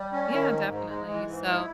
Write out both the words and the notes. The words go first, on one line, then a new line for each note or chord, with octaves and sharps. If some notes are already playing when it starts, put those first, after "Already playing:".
Yeah, definitely, so.
Already playing: G3
C#4
D#3
G#2
G#2
G#3
E3
G#2
E4